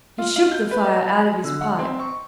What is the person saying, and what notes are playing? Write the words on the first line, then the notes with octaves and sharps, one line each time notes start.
He shook the fire out of his pipe.
F4
F5
G6
B4
D#5
B5
D3
F#5
C4
C#6